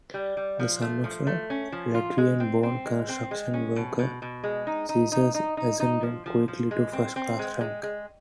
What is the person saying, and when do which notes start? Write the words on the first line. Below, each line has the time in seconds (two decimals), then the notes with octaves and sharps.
The son of a Latvian-born construction worker, Zesers ascended quickly to first-class ranks.
0.14 G3
0.37 G3
0.59 F3
0.82 A3
1.04 F3
1.27 A3
1.50 C#4
1.72 F3
1.94 F4
2.18 G#3
2.40 C4
2.63 C4
2.86 G#3
3.09 C4
3.31 G#3
3.54 C#4
3.76 B2
3.99 B2
4.22 B2
4.44 G#3
4.67 D#4
4.89 D#4
5.12 D#4
5.35 D#4
5.57 D#4
5.80 D#4
6.03 F3
6.26 F3
6.48 F3
6.71 G#3
6.93 C4
7.16 C4
7.39 G#3
7.61 G#3
7.83 G#3